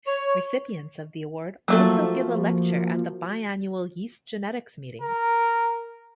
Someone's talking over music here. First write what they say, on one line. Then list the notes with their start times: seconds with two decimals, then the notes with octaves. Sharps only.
Recipients of the award also give a lecture at the biennial Yeast Genetics Meeting.
0.06 C#5
1.68 F3 F#3 A3 A#3 A4
5.02 A#4